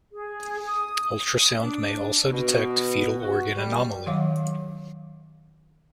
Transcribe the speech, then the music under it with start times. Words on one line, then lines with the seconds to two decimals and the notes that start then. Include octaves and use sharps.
Ultrasound may also detect fetal organ anomaly.
0.12 G#4
0.65 D#6
1.63 D4
2.32 B2
3.21 F#4
3.57 G3
4.06 D#3 F#3 C#5 F5 F#5 D6